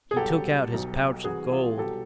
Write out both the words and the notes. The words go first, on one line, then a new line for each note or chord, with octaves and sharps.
He took out his pouch of gold.
G#4
C2 B2 F#3 G4 A4
B1 B2 F#3
C2 C3 E3 F#4 G#4
F4 G4
C2 B2 F#3 G4 A4